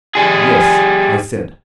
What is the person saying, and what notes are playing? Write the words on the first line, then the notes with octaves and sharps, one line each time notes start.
"Yes," I said.
G3 G#4